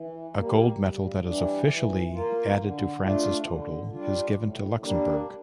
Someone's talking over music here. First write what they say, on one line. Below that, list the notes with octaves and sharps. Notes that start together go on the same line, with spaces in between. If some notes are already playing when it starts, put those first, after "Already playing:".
A gold medal that is officially added to France's total is given to Luxembourg.
Already playing: E3
G3 A#3
G2
E3 G3 D4
E3
A#3 F4
D3
A3 D4 F4
D3
G3 D4 F4
A2
G3 A#3 D4